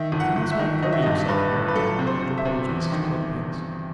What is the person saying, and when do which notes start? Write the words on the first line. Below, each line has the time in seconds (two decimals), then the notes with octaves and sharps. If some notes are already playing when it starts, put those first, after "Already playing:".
'You must not flurry yourself, Mary Ann,' interposed Mrs. Cluppins.
Already playing: D#3 E5
0.12 G1
0.20 F#5
0.36 G1
0.51 E5
0.59 D#3
0.82 D#3 D#5
0.93 E5
1.02 G2 D#5
1.29 G2 B4
1.52 G1
1.68 B4
1.75 F#3 A4
1.99 C3
2.07 C5
2.22 C3
2.38 E5
2.45 C3
2.69 E2
2.92 D#3